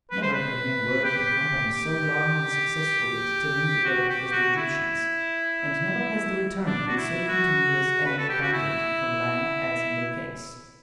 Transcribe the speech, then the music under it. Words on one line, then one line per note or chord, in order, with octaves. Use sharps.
Never have men worked in company so long and successfully at tilling the earth as the Egyptians, and never has the return been so continuous and abundant from land as in their case.
B4
C5
B4
G4
F#4
G4
F#4
E4
D4
F#4
E4
F#4
B4
A4
G4
F#4
E4